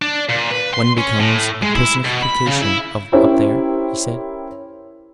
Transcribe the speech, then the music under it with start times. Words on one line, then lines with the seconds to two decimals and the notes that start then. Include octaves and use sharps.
"One becomes a personification up there," he said.
0.02 D4
0.29 A#2
0.51 B4
0.74 C6
0.98 C#4
1.20 A2
1.62 G#3
1.75 E4
2.05 B2
2.22 B5
2.46 C#3
2.62 E4
3.12 C#4 E4 G4 A#4 C5